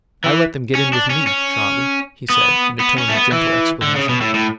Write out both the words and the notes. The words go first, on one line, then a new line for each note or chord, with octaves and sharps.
"I let them get in with me, Charlie," he said in a tone of gentle explanation.
E3
C#4
D4
C#4
C#4
B3
B3
C#4
A3
B3
E3
D3
C#3
B2
A2
A2